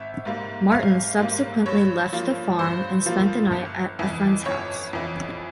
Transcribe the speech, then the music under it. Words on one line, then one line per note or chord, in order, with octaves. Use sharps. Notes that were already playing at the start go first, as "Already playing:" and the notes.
Martin subsequently left the farm and spent the night at a friend's house.
Already playing: G#1 E5
G#2 G3 A#3
G#1 F5
G#2 G3 A#3
G2 C#5
F3 A#3
G2 C5
F3 A#3
G1
F2 E3
G1 C#5
F2 E3